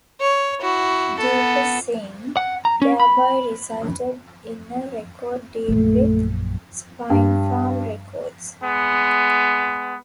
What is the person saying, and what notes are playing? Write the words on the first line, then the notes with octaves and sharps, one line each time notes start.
"Deeper Sin" thereby resulted in a record deal with Spinefarm Records.
C#5
E4 F#4
B3 A4
F#5
A#5
C#4
B5
A#1 F#2 A3
G2
G#3 B3